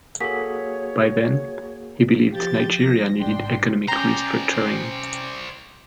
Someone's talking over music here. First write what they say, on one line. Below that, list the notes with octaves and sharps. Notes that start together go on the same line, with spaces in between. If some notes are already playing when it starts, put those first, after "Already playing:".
By then, he believed Nigeria needed economic re-structuring.
A#3 F#4 G#4 A4 C#5 B6
F3 G4 G6 A6
F3 A#6
A1 G#2 D4 G5 C6
C#4 C5 D5 G5 A#5 G6